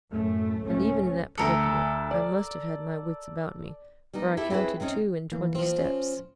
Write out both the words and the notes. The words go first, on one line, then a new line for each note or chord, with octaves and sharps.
And even in that predicament I must have had my wits about me, for I counted two-and-twenty steps.
F#2 A2 A3
C#2 A2 C3 A3 C#4
D2 A4 A#4 C#7
D5
G3 B3 D#4
E4 G4 A4 E5
C4 C#4 E4 G#4 B4
C3 C4 C#4 D#4
E3 A#3
F3 C4
C#4